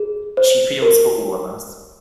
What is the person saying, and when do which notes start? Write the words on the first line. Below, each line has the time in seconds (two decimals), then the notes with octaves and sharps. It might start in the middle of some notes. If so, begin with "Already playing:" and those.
She feels for all of us.
Already playing: G#4
0.37 C5
0.82 A#4